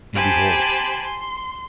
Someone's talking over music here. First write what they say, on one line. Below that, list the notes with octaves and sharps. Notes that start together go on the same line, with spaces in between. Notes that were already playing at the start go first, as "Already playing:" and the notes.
And behold!
G4 C5 G#5 A5 B5 C6
C6